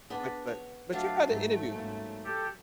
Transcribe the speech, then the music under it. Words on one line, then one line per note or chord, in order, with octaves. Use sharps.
But but but check out the interview.
B3 D4 G#4 B5
C#5
F#3 A3 D4 F5
G#2 A3 D#4
G#2 A#3 C#4
G4 A4